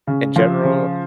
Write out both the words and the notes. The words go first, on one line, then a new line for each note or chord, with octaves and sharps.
in general."
C#3
F3
C#3